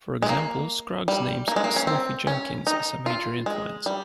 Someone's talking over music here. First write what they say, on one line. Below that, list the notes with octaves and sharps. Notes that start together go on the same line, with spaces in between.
For example, Scruggs names Snuffy Jenkins as a major influence.
G#3
A#3
G3
A#3
G#3
A#3
C#4
C4
C#4
D#4
F4
G#3
G3